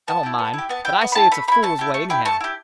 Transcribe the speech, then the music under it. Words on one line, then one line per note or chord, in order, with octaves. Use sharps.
I don't mind; but I say it's a fool way, anyhow.
B3 A5
E4 G4
B3
E4 G4
B3 A5
E4 G4 G5
B3
B5
E4 G4 A5
A3 B5
E4 G4 B5
A3 A5
E4 G4
A3
E4 G4
A3 A5
E4 G4